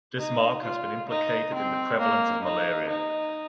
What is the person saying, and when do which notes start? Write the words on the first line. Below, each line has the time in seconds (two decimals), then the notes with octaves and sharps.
This mark has been implicated in the prevalence of malaria.
0.17 D#4
0.63 F4
1.08 D#4
1.54 C4
1.99 A#3
2.44 D#4
2.89 D#4